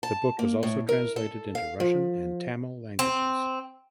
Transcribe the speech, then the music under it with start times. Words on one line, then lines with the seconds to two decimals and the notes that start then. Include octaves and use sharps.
The book was also translated into Russian and Tamil languages.
0.03 A5
0.39 A#3
0.63 A2
0.89 A#4
1.16 A4
1.55 F5
1.80 F3
2.99 C4